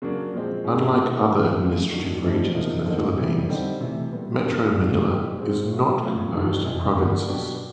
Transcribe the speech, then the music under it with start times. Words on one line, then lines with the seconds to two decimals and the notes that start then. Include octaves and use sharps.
Unlike other administrative regions in the Philippines, Metro Manila is not composed of provinces.
0.02 C#3 F#3 A#3 D4
0.33 A#2 F3 G#3 C4
0.64 G#2 D#3 G#3 C#4
0.96 D#3 G#3 B3 E4
1.27 G#2 E3 A3 D4
1.60 F#2 C#3 E3 A3
1.90 D#3 F#3 A3 D4 F#4
2.22 G2 E3 A3 C4 D#4
2.54 E2 C3 F3 A#3 D#4
2.86 F2 D3 F3 A#3 D#4
3.17 C3 E3 G3
3.49 D3 G3 C4 D#4 G4
3.81 C3 E3 A3
4.11 A#2 G3 B3
4.44 E2 C#3 F3 A#3 D4
4.75 F2 C#3 F#3
5.07 B2 G3 B3 D#4 G4
5.39 G#2 D#3 G#3 C4
5.70 B2 F#3 A3
6.01 B2 F#3 A3 C#4 F4
6.33 G2 D#3 F#3
6.65 F2 C3 E3
6.97 G2 D3 G3 A#3
7.28 B2 F#3 B3 D4 G4